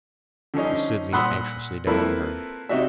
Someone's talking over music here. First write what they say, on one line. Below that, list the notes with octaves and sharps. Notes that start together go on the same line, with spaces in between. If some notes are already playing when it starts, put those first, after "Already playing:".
He stood looking anxiously down on her.
D3 F3 C#4 D#4
A#2 F#5 B5 C6 D#6 E6
A#3 C4 E4 F4 A4 B4
C3 D#4 F#4 E5